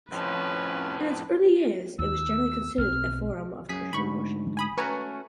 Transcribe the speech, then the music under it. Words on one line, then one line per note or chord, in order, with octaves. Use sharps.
In its early years it was generally considered a forum of Christian worship.
F2 A2 F3 C#4 B4
D#2 E6
B1 D#3 C4 F6
F#2 G#4 B6
D2 G#2 B5 C#6
G#5 B5 D#6
A3 C#4 F#4 B4 G#5 A#5